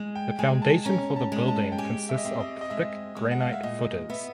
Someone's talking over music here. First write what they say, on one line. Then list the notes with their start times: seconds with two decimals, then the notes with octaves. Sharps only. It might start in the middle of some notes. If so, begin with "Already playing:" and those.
The foundation for the building consists of thick granite footers.
Already playing: G#3
0.15 G5
0.39 G#3 G#5
0.62 A5
0.85 C#4 A#5
1.16 A5
1.32 G#3
1.48 A5
1.72 G5
1.78 G4 G#5
2.09 E5
2.18 D#5
2.25 C4 E5
2.40 D#5
2.61 D#5
2.70 G#3 E5
3.17 G#3
3.31 F#5
3.42 F5
3.52 E5
3.63 A#2 D#5
4.09 B3 E5